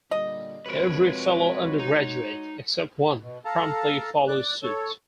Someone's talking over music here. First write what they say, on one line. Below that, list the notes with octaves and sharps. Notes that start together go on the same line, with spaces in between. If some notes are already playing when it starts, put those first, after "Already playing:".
Every fellow undergraduate, except one, promptly follows suit.
A#2 D3 G3 D#5
C3 F3 G#3 C4 F#4 A#4 B4 C#5
D#4
B2
A4 F5 A5 A#5
D5 F#6
A4 C#5